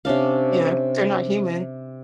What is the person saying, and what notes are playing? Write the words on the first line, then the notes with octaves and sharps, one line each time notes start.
Yeah, they're not human.
C3 C#4 D4 F5